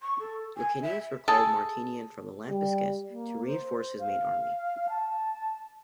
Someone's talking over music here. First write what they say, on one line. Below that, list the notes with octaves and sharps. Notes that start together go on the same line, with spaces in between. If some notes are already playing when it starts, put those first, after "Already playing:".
Licinius recalled Martinian from Lampsacus to reinforce his main army.
C#6
A4
G#5
E5
G#4 A4
G3
A#3
C5
F5
A5